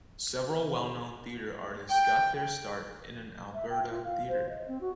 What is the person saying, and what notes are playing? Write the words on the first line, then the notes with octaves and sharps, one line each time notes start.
Several well-known theatre artists got their start in an Alberta theatre.
G5
E5
G5
F4
F5
C5
D#5
C4
F#4